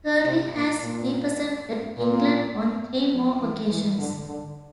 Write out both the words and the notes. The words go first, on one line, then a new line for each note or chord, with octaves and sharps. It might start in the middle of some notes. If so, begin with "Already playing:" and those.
Kirtley has represented England on three more occasions.
C3
A#2
A#2
A#2
F3
E3
E3
D3
D3